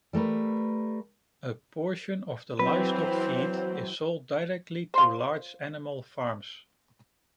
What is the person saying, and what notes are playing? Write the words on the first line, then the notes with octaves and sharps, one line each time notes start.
A portion of the livestock feed is sold directly to large animal farms.
G3 A3 A#4 B4
E3 F#3 C4 B4 C5
F4 C5